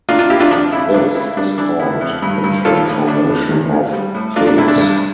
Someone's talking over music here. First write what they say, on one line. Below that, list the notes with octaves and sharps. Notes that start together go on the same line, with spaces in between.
This is called the Transformation of Things.
A#3 D4 F4
D4 F4
A#3 E4 G4
D4 F4
F2 D4
C#3 E4
C#2 D4
C#3 E4
G3 D4
E3 D4
F2 E4
F2
G2
G2
A#1 F4 A4
A2
A2 D4
A2
E2
C#3
G3
A2
A#3 D4 F4
D4
E2 E4
D4
G2